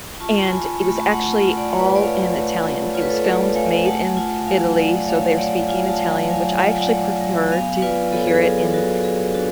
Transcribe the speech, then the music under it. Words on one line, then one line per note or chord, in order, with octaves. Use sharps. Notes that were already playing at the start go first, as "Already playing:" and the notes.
and it was actually all in Italian. It was filmed, made in Italy, so they're speaking Italian, which I actually prefer to hear it in
F4 A5 C#6
F4 G#5 B5
A3 C#6
B5
A5 C#6
A3 F#5 A5
F4
D5 F#5
A3
B4
C#5
D5
F4 C#5 F5
A3
F4
F4 C#5
B4
A4 C#5
A3 B4 D5
A3 F5 G#5
G#5
A3 F#5 A5
F4 F#5 A5
F#3 F5 G#5
A3 D5 F#5
A3 C#5 F5
A3 D5 F#5
F4 F5 G#5
A5
F#3 F5 G#5
F#3 F5 G#5
F4 F#5
G#5
D5 F#5
A3
F#3
B3 F5 G#5
F5
F4 B4 D5
B3 A4 C#5
G#4
A4
F#3 G#4 B4
F#3 F#4 A4
F#3 G#4
D4 F#4 A4